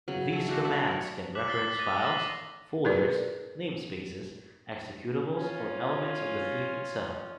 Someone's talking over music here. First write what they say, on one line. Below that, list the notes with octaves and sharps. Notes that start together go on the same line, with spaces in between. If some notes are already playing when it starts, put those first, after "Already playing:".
These commands can reference files, folders, namespaces, executables, or elements of the theme itself.
C#3 F#3
A4 E5
A3 C#4 D4 F#4
A4 D5 E5
A#4 C#5
D6 F#6 B6 F#7
D6 E6 A6 B6 C7 G7
D#6 A6 A#6 D#7
D6 E6 A6
G#4 A#4 B4 D5
C#4 F4